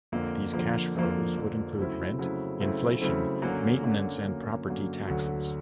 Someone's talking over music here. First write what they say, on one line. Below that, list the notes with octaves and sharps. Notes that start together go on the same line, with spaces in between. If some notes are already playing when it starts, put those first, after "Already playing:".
These cash flows would include rent, inflation, maintenance and property taxes.
F2 D3 F3 A#3
F2 D3 F3 A#3
F2 D3 F3 A#3
F2 D3 F3 A#3
C#3 F#3 A3 C4 E4
C#3 F#3 A3 C4 E4
C#3 F#3 A3 C4 E4
C#3 F#3 A3 C4 E4
F#2 D3 F#3 A#3
F#2 D3 F#3 A#3
F#2 D3 F#3 A#3
F#2 D3 F#3 A#3
D2 D3 F#3